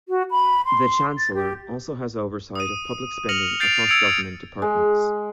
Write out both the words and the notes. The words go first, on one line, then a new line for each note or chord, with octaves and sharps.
The Chancellor also has oversight of public spending across Government departments.
F#4
B5
C6
A6
G4
D#6 D#7
F6 A#6 C#7 D#7 F7 F#7
G6 A6 C7 D7 F7
E6 G#6 C#7 D7 F7
G#3